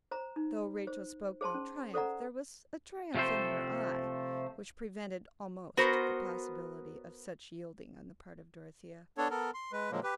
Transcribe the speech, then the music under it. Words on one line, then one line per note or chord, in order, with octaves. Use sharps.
Though Rachel spoke no triumph, there was a triumph in her eye, which prevented almost the possibility of such yielding on the part of Dorothea.
C5 A#5
D#4
C5
G#4 C5 A5 C6
C#4
A4 C5 D5 F#5 A#5
C3 F3 A3 A4 C5
B3 F#4 A#4 C5
B3 D4 A4 C#5
B3 A4 A#4
C6
G#3 B4
A#2 D3 F3 F#3 G#3 A#3
G4 B4